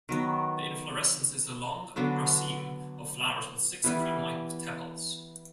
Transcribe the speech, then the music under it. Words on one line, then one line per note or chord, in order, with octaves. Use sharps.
The inflorescence is a long raceme of flowers with six cream-white tepals.
D#3 F#3 B3
D3 F#3 B3 D4
E3 G3 B3 E4